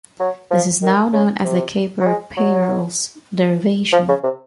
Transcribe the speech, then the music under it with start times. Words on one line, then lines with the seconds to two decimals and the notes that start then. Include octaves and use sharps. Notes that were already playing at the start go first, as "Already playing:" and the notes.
This is now known as the Kapur-Peierls derivation.
0.20 F#3
0.51 F3
0.82 D#3
1.13 C#3
1.45 C3
2.01 F#3
2.07 G#3
2.37 F#3
3.92 F3
4.08 C#3
4.24 C3